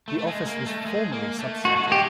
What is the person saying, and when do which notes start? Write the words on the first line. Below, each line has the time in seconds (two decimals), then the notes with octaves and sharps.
The office was formerly substantive.
0.08 A3
0.19 A3
0.27 G#3
0.47 A#3
0.67 A3
0.82 A3
0.86 G#3
1.12 A#3
1.39 A3
1.65 G#3 F#4
1.76 A3
1.88 G#3 G4